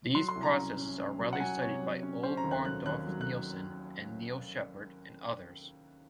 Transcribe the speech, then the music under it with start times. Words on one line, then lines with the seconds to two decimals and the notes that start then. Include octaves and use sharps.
These processes are widely studied by Ole Barndorff-Nielsen and Neil Shephard, and others.
0.15 F#3 C6
0.29 C6
0.35 C2
0.43 A#5
0.57 C#4
0.77 C#4
0.98 C#4
1.19 F#3
1.33 F#5
1.40 F#3 G#5
1.61 C3 C#5
1.82 F#3
2.03 C#4
2.23 C#4 C5
2.37 A#5
2.44 D#2
2.51 F#6
2.65 F#3 F#6
2.86 D#2 F#6
3.07 F#3
3.21 F#6